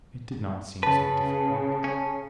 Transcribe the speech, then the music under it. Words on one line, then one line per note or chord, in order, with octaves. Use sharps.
It did not seem so difficult.
C#3 B4 A5
C#4